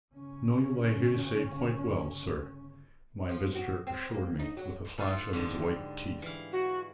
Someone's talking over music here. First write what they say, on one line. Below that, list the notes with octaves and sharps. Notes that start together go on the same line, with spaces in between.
"Know you by hearsay quite well, sir," my visitor assured me, with a flash of his white teeth.
G1 C#3 C#4
F3
F#4
C4
A#3
D#4
F#3
G#2 F4
G#2 D3 G3
E3 F5
F#4